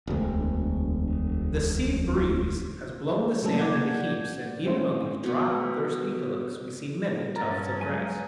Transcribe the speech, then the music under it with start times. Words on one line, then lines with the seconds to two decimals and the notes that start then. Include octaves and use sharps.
The sea breeze has blown the sand into heaps, and even on these dry, thirsty hillocks we see many tufts of grass.
0.07 E1 D2
3.42 C3 F#3 A3 A#3 C#4 A4
3.59 A#3 D5 F#5 G6 G#6
4.65 D#3 C4 C#4 E4 C5
5.24 B2 B3
7.36 G2 C#4 A#4 B4 A#5 F6 A6
7.81 F#3 G#3 B4 G#5